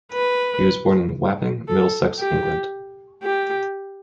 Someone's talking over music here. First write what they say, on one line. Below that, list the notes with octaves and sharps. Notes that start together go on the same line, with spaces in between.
He was born in Wapping, Middlesex, England.
B4
A4
G4
G4